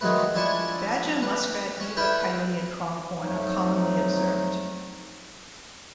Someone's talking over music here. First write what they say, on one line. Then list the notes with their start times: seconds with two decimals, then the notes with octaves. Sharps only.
Badger, muskrat, beaver, coyote, and pronghorn are commonly observed.
0.01 D#3 F#3 G#3 A3 B4
0.35 F3 D4 E4 G#5 A5 C#6
1.22 B4
1.77 C#4 F5
1.97 E4 A4 B4 G5 B5
3.22 F2 F3 F#3 G#3 A3 D#4